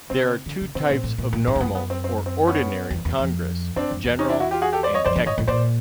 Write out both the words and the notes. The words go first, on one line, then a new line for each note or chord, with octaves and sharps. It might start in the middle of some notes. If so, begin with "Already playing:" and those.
There are two types of normal or "ordinary" congress: General and Technical.
C#3 C4
D3
C#3
C3 C4
A#2
A2
A#2
A#2
G#2
F2
F#2 B3
B3
C4
C4
C4
B3 C#4
E2
E2
F2
F#2 C4 D4
F2
E2
C#4 D#4
D4 E4
E4 F#4
F4 G4
F#4 G#4
G4 A4
C5 D5
C#5 D#5
F2 C5 D5
G2
G#2 C#5 D#5
A2
A#2 C5 D5